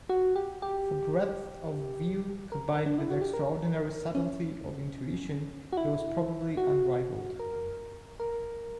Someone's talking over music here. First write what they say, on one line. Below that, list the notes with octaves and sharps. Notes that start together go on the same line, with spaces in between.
For breadth of view, combined with extraordinary subtlety of intuition, he was probably unrivalled.
F#4
G4
G4
A#4
D4
E4
F#4
G4
A#4
C#4
F#4
E4
F#4
A#4
A#4